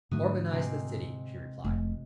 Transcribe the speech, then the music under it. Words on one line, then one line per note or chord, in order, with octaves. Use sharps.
"Organize the city," she replied.
G#2 D3 A3 F#4 D#6
C3 G#3 C4
F1